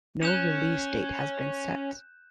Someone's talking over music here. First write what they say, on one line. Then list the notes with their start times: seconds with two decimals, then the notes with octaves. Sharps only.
No release date has been set.
0.23 C#4 F#6 G6 E7